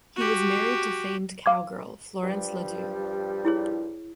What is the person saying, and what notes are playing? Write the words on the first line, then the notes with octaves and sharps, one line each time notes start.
He was married to famed cowgirl, Florence LaDue.
F#4 G4
F5 D6 G#6
G2 F3 G3
E4 G#4 C#5